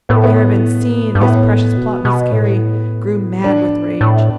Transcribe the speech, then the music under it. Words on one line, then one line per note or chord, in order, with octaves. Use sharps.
Garabin, seeing his precious plot miscarry, grew mad with rage.
A2 B3
A3
B3
G2
A2 B3
B2
B2
A2
D4
A2